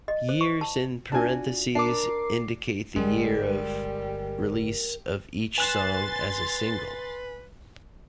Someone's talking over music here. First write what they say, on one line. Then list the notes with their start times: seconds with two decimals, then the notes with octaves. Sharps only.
Years in parentheses indicate the year of release of each song as a single.
0.08 D#5
0.29 C5
0.41 C#6
0.61 A5
1.12 D4 F4 F#4 G#5 A5
1.75 D4 A#4 A5 D6 C7
2.96 G1 G3 G#3 A#4
5.58 B4 G#5 C6 F#6 A6 E7